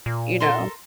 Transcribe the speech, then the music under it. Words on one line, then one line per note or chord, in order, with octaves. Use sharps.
you know.
A#2
A4 A#4 C6